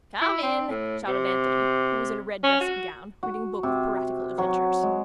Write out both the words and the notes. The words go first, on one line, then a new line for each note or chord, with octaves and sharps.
"Come in," shouted Anthony, who was in a red dressing-gown, reading a book of piratical adventures.
E4
C4
A2
C3
C#4
F#4
F#4
C3
F#3 C#6
G#3